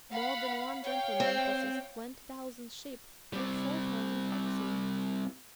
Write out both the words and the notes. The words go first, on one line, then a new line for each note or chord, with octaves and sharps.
More than one gentleman possessed twenty thousand sheep and four thousand oxen.
F5 F#5 B5
C#5 F5 G5
C4
G3 C4